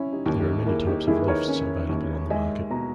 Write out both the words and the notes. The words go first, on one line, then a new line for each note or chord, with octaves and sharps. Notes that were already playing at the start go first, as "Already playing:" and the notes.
There are many types of lifts available on the market.
Already playing: C#4 E4
D#4 G4
D#2
D#4 G4
A#3 E4 G#4
D#4 G4
D#3 E4 G#4
B4
A#4 C#5
C#4
D#2
G#3 E5 G#5
B2 A#5